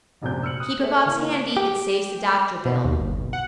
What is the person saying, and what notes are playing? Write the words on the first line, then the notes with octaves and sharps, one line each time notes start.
Keep a box handy, it saves the doctor bill.
F1 A#1 F#2 C3 G6
E6 F6 C#7 F#7
D#6 F#6
G#4 A4 C#5 E5
C#3 A#3 C#4 E4
G4
B2
D#2
G1
B1
F#5